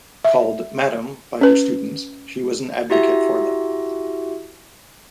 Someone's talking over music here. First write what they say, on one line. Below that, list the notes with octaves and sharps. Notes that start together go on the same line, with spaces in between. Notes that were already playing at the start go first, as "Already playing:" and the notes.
Called "Madam" by her students, she was an advocate for them.
E5
C#4 B4
E4 F#4 G4 E5